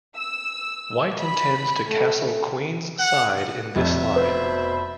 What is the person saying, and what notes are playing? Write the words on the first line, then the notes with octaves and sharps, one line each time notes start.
White intends to castle Queen's side in this line.
E6
B5
A3
F#5
F1 F2 E5
B2 B4 C5 B5